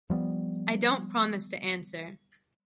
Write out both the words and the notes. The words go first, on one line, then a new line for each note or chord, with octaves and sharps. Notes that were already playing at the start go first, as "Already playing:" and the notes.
I don't promise to answer.
F3 G3 B3